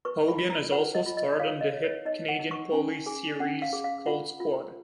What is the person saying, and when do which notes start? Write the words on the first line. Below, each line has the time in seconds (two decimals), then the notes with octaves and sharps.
Hogan has also starred on the hit Canadian police series "Cold Squad".
0.05 B4 C#6
0.28 B5
0.38 F4
0.50 A#5
0.72 B4 F#5
0.95 D#5
1.06 F4
1.17 D#5
1.40 C#5 F5
1.61 D#5
1.72 C#5
1.84 C#5
2.05 D#4 D#5
2.28 F#5
2.39 D#4
2.51 C#6
2.72 C#4 G#5
3.06 G#4 G#5
3.40 C#4 F#5
3.62 F5
3.73 G#4
3.84 F5
4.06 F4 F#5
4.40 F4